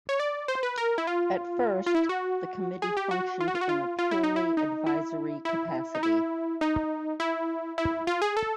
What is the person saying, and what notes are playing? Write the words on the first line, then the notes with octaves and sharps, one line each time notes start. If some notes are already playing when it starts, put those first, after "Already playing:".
At first, the committee functioned in a purely advisory capacity.
C#5
D5
C5
B4
A#4
E4
F4
F4
E4
F#4
G#4
G4
F#4
F4
F#4
F4
F#4
F4
F4
E4
D#4
E4
D#4
E4
E4
D#4
E4
D#4
E4
E4
F4
G#4
A4